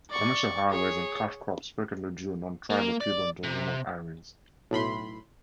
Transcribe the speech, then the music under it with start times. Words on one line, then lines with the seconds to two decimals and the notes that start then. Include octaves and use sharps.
Commercial highways and cash crops frequently drew non-tribal people into remote areas.
0.10 D5 C#6
0.70 G#4 C#5
2.70 A#3
3.00 D5
3.45 C3
4.71 B1 A2 B5 C6